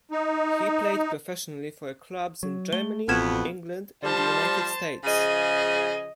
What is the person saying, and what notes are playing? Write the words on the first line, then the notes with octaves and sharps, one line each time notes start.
He played professionally for clubs in Germany, England and the United States.
D#4
F#3
A3 G7
A1 F2 B2 B3 F6 G#6 E7
F3 G3 C5 A5
C#3 F3 G#4 D#5